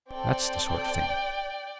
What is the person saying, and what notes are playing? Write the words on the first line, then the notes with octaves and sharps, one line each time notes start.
That's the sort of thing!'
C4 A4 D5 G5